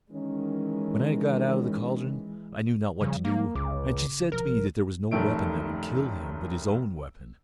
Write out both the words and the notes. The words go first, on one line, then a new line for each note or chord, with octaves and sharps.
When I got out of the caldron I knew not what to do; and she said to me that there was no weapon that would kill him but his own weapon.
D#3 E3 G#3 C#4
C#3 F3 G3
A#3
G1 C#2 C#3 D6
A1 C3 F3 A#4
F1 F#2 D#3 A3 D7